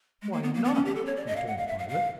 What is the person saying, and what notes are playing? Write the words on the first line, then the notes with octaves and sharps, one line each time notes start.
"Why not?" returned the pilot.
G#3
A#3
B3
A#3
B3
C#4
G4
A4
C#5
D5
D#5
F5
F#5
F5
E5
F5
F5